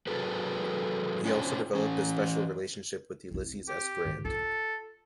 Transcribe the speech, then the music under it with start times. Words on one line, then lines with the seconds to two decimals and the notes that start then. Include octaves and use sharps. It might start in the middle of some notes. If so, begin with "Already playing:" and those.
He also developed a special relationship with Ulysses S. Grant.
0.07 F#3 G#4 A4 B4
1.25 C#4 D4 F4 C5 C#5
1.75 E3 C#4
3.31 C4 E4
3.68 G4
4.05 G#2 D#3
4.25 F4 A4